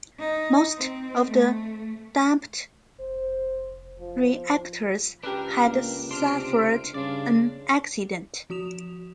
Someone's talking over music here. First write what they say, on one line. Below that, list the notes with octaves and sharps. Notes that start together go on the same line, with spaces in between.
Most of the dumped reactors had suffered an accident.
D#4
C4
A3
F1 C5
F3
C#2 D4 G4 A#4 B4
A#3
C3 D4 C6 F6 D7
G2 C#3 D4 D5
F3 F#4 D#6 E7 F7